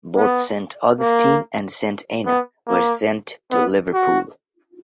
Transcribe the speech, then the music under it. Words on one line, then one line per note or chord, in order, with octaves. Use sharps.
Both "St Augustine" and "St Anna" were sent into Liverpool.
B3
A#3
B3
A#3
B3
F#4